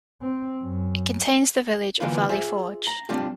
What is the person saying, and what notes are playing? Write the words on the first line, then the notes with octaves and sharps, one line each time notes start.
It contains the village of Valley Forge.
C4
F#2
D3 E3 A#3 D#4 F4 B4
F4 G#4 C5 E5
A#5
G3 C4 D4 F4 G4